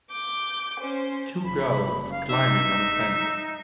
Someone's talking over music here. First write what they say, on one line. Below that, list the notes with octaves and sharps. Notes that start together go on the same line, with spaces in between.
Two girls climbing on a fence.
D6 G6
C#4 C5
F#1 B5
F5
D#4 E5